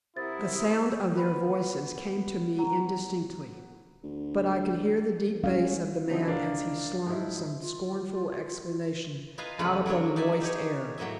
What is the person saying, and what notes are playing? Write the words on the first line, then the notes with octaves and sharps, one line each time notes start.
The sound of their voices came to me indistinctly; but I could hear the deep bass of the man as he slung some scornful exclamation out upon the moist air.
C3 E4 A#4 F#5 D#6 A6
B3 B4 B5
F#3
D2
A1 G3 C#4 F5
D3 F3 F#3 C4 D#4 E4
C#2 D4 A#4 F5
G#2 F3 E4
F4
F4 B4 D#5 F5 G#5 A#5
F2 C#3 G3 A3 B4 F#5
F#3 A#3 D4 C#5
D#4 D5 E5 G#5
D#4 G4 G#4 C#5
A2 F#3 A#3 D#5 E5